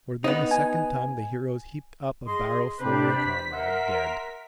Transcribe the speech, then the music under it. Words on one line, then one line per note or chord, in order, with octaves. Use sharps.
For then a second time the heroes heaped up a barrow for a comrade dead.
B3 D#4
G#5
G#4 D#5 C6
C3 D4 G4 B4 C5 B5
B6
A#4 E5 F#5 C6 B6